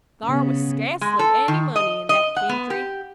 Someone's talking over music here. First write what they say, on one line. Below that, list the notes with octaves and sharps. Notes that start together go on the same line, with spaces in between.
Thar was sca'cely any money in that kentry.
C#3 B3
G#3
A4
D#3
D#5
D#5
F#5
B3
G4